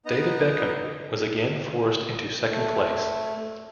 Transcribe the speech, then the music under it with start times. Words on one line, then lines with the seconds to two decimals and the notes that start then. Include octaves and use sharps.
David Beckham was again forced into second place.
0.06 B3 D#4 D#5 A#5
2.50 A3